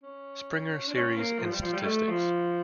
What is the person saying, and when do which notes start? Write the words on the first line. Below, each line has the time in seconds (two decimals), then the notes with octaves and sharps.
Springer Series in Statistics.
0.03 C#4
0.88 D4
0.94 C#4
1.17 A#3
1.38 F3
1.50 G3
1.61 F3
1.73 G3
1.84 A3
2.08 F3